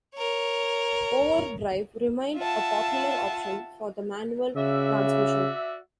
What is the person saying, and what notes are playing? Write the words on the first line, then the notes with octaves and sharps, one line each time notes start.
Overdrive remained a popular option for the manual transmission.
A#4 C#5
F4 E5 F#5 A5
C#3 F#4 D5 E5